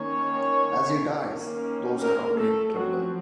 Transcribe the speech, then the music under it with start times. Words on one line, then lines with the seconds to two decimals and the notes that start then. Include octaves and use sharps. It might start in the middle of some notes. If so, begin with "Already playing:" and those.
As he dies, those around him tremble.
Already playing: D#3 A#3 C#4 C#5
1.26 D#3 A#3 C#4
2.00 A#3 A#4
2.37 A3 A4
2.74 F3 F#3 C4 F#4